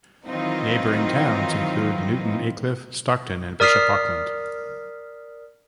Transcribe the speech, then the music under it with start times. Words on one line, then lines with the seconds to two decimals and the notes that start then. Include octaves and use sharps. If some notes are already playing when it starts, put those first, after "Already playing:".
Neighbouring towns include Newton Aycliffe, Stockton and Bishop Auckland.
0.25 D#3 E3 F#3 C4 D#4 F4
3.60 A#4 D5 D#6 F6 B6 C7